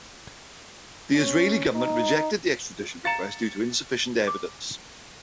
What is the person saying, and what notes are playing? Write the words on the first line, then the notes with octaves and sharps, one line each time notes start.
The Israeli government rejected the extradition request due to insufficient evidence.
C#4
D#4
F5 A#5 A6 C#7 E7
D6